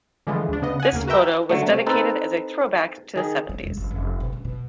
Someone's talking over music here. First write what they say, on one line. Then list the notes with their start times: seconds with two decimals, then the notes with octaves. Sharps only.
This photo was dedicated as a throwback to the seventies.
0.27 D3 E3 F3 G#3
0.49 D2 D4
0.62 C#3 B3 D#5
0.80 F#5 G#5
0.92 D#2 C#3 A#3
1.07 F#4 A#4 B4 E5 G5
1.50 D3 F#3 A3
1.67 C3 A3
1.86 C4 D#4 A4 B4
3.16 D#3 G#4
3.49 A3
3.63 E1
3.77 F#1
3.91 F1
4.20 B2
4.33 C#3
4.45 B2